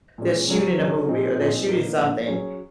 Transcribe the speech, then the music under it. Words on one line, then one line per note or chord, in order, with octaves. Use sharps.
they're shooting a movie or they're shooting something.
A#2 G#3 C#4
C#3 F#3 C#4
C#3 F#3 C#4
A#2 F3 C4 D#4 G#4
A#2 F3 C4 D#4 G#4
A#2 F3 A#3 D#4
A#2 F3 A#3 D#4
F#3 C#4 G#4 C#5